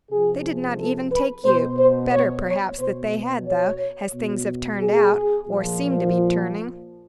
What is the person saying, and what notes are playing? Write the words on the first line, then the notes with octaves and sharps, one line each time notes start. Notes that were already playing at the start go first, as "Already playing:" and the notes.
They did not even take you; better, perhaps that they had though, as things have turned out, or seem to be turning.
C3 F3 G#4
A4
B4
B2 C5
C5
C#5
C#5
B2 C5
C#5
B2
G#4
A#2 F3